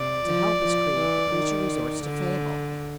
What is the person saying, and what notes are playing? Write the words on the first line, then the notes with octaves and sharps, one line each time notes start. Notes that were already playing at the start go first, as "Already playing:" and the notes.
To help his creed, the preacher resorts to fable.
Already playing: C3 D5
F3
F3
E3
D#3
D3